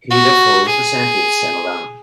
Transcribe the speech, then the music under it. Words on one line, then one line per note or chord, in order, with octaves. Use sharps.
He therefore resented Sima Lun.
F#4
G#4